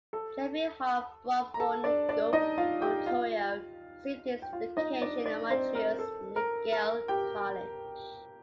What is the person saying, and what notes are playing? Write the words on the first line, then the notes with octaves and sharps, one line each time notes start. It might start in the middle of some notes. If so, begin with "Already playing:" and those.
Jeffry Hall Brock born in Guelph, Ontario received his education at Montreal's McGill College.
A4 A5
A#5
A4 A5
D4 D5
D4 D5
D#4 D#5
F4 F5
G4 G5
F4 F5
G5
F4 F5
D#4 D#5
D4 D5
D4 D5
C4 C5
A#4
A4
A#4
A#4
G4 G5